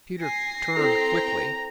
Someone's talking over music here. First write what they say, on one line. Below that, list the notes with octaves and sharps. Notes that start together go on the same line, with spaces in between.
Peter turned quickly.
G#5 A#6 C7
C4 E4 A4 A#4 G5 A#5